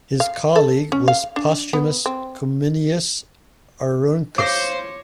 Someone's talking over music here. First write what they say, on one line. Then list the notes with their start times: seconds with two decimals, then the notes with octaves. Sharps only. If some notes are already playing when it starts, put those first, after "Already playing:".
His colleague was Postumus Cominius Auruncus.
0.20 F5
0.56 A4
0.92 C#4
1.08 F5
1.36 D4
1.73 B3
2.06 C4
4.38 C5 C#5 F5 D6 A#6